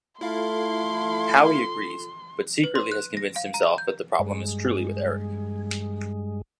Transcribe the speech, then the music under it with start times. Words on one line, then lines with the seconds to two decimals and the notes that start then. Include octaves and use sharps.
Howie agrees, but secretly has convinced himself that the problem is truly with Eric.
0.21 A3 E4 F4 A4 F5 C6
2.64 B4
2.75 C6
2.92 F#6
3.17 A#6
3.36 F5
3.54 A#5
3.78 G6
4.19 G2 G#3